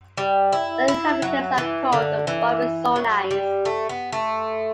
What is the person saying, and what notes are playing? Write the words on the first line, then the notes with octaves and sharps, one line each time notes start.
The inhabitants are called "Barbizonais".
G3
E4
E4
F#3
E3
D3
E3
F#3
G3
A3
B3
A3